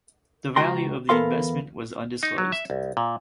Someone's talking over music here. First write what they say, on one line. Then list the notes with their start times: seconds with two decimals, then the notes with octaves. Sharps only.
The value of the investment was undisclosed.
0.56 C#2 F#4 G5 A#5 C6
1.09 E2 B3 A4 A#4 F5 C6
2.23 D#4
2.38 F#3
2.52 E5
2.70 C2
2.97 A#2